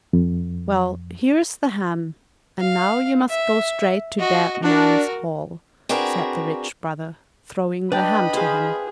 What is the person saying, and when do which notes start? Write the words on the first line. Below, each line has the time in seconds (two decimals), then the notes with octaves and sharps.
"Well, here is the ham, and now you must go straight to Dead Man's Hall," said the rich brother, throwing the ham to him.
0.13 F2
2.60 F5
3.29 E5
4.19 F#4 D#5
4.63 D4 F#4 A#4
5.89 C4 D4 F#4 G#4 A#4 B4
7.92 D4 B4 D#5 G5 B5 G6
8.34 G#4 C5 F5